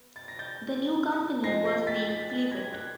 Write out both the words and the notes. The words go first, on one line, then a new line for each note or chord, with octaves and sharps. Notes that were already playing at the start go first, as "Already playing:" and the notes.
The new company was named Clevite.
Already playing: B3
A6
A#6
G6 A6
F3 G#3 C4 D#4 A#6 C7
A#6 C7
A6 B6
A6 B6
A6 B6
G#6 A#6
F#6 G#6